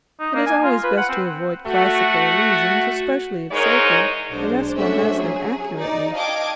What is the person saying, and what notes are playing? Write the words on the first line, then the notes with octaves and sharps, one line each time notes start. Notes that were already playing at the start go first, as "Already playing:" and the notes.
It is always best to avoid classical allusions, especially if sacred, unless one has them accurately.
D#4
A#3
G#5
F4
B4
F#5
C4
A3 F#4
E2 G#2 G#3 D#4 A#4 C#5
B1 G#3 D4 C5
A3 C#4 D4 F#4 C5 E5
F#3 G#4
D#4 D5
D#5 F5 G5 A5 D6 G#6